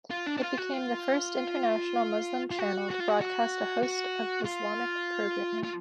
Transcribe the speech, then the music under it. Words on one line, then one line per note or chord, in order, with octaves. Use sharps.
It became the First International Muslim channel to broadcast a host of Islamic programming.
F4
D4
D4
F4
F#4
F4
F4
F#4
F#4
F4
F#4
F#4
F#4
F4
F4